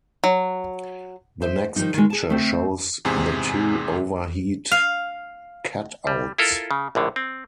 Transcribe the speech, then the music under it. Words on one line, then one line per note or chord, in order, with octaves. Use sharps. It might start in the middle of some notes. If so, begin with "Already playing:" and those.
The next picture shows the two overheat cutouts.
F#3
C5 E5
D#3 F3 G3 A3 D#4
D#3 G#3
G#4 A5
A3 C4
E2 G#2 C3 G#4
F5
G3
E4 F4 A4 A#4
C#3
A#1 A2 D3
C4